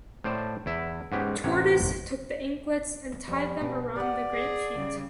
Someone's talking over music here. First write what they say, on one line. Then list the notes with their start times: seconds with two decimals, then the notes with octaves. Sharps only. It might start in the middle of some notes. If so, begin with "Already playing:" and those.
Tortoise took the anklets and tied them around the great feet.
0.24 A2 C5 D5 A5
0.66 E2 E4 E5
1.12 G#2 B3 C#4 G4
1.44 A1 C3 B3 C#5
3.28 F2 G3
3.61 B2
3.96 G4 D5 F#5
4.31 G#4
4.75 C#3 G3